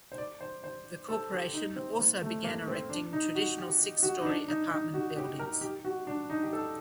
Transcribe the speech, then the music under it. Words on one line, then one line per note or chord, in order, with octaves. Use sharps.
The corporation also began erecting traditional six-story apartment buildings.
C5
D5
C5
C5
A4
G4
D#4
C4
A#3
A3
A#3
C4
D4
D#4
F#4
G4
F#4
D#4
D4
D#4
D#4
F#4
G4
A#4
G4
F#4
D4
D#4
G4
A4